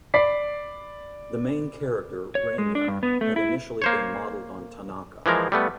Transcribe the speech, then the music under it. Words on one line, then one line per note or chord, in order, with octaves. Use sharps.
The main character, Reinya, had initially been modeled on Tanaka.
D5 B5 B6 C7
C#5
G#3
D4
G2
B3
A3
E4
A#3 C5 C#5
E3 F3 G#3 A#4
G3 A3 B3